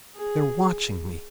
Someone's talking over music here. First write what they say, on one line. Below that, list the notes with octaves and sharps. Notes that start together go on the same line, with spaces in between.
They're watching me.
G#4